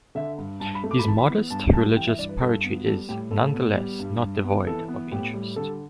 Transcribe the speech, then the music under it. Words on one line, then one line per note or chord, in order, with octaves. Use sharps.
His modest religious poetry is, nonetheless, not devoid of interest.
D3 E5
G2
G2 A5
B5
A3
D6
B5
E3 A5
B5
B3
G2 A5
G3 A5
E3 G5
E5
G2 D5
B4
G2 A4
B3
G3 A4
A2 G4
A2 A4
B3
G3
G2
G2
B3
E3 A4
B3
A2 G4
G3
D3 A4